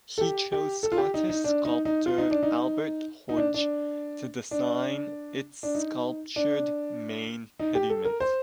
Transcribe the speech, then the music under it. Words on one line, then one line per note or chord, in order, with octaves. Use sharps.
He chose Scottish sculptor Albert Hodge to design its sculptured main pediment.
A4
G4
G4
A4
F4
G4
D#4
D#4
D4
D#4
D#4
F4
D#4
D4
D#4
D#4
D4
D4
D4
D4
D#4
D4
D#4
G4
A4
A#4
C5